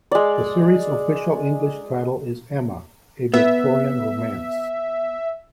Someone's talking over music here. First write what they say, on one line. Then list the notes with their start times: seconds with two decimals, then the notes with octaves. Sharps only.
The series' official English title is "Emma - A Victorian Romance".
0.11 G#3 D5
3.34 B3 E5